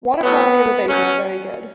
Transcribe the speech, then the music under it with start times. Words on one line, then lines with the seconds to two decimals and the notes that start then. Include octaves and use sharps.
Water quality of the basin is very good.
0.22 A2 F#3 B3
0.89 B2 F#3 C#4